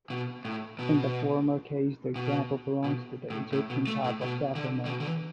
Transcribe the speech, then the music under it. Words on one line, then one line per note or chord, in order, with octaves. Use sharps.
In the former case the example belongs to the Egyptian type of sacrament.
B2
A2
B2
B2
B2
A2
A2
B2
A3
A2
B2
D3
D3
B2
D3
E3